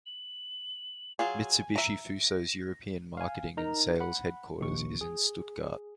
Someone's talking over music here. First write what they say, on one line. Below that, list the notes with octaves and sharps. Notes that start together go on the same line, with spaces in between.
Mitsubishi Fuso's European marketing and sales headquarters is in Stuttgart.
F#7
F#3 F4 G#4 G#5
E5 A#5
A#6
F5 G#5
D#4 A#4 A#5
F#5 B5
A#1 D#2 C#6
G#4